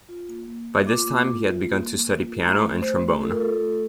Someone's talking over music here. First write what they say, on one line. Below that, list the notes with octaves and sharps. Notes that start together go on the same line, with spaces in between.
By this time he had begun to study piano and trombone.
F4
A#3
A#3
A#3
F4 D6
A#3
F4
F4
A#3
A#3
A#3
F4
A3 A#5
A3
A3 C5
A3
F4 A4
A#4
F4 A4
A3